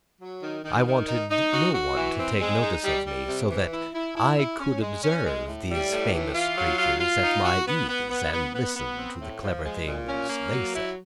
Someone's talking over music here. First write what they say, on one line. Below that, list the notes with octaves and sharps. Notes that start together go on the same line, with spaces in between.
I wanted no one to take notice of me, so that I could observe these famous creatures at my ease and listen to the clever things they said.
F#3
D#3
D#3
D#3
D#4
D#4
F#4
F#4
E3
C4
G#3
D#4
G3
G3
C3
E3
E4
E4
E4
E4
C#4
G#3
C#4
G#3
A2
G3
A2
E3
F4
F#3
F4
F4
D#4
F#4
B3
B3
B3
B3
B3
B3
C4
A2
F3
G#3
A#2
C#4
A#3
F#3
E4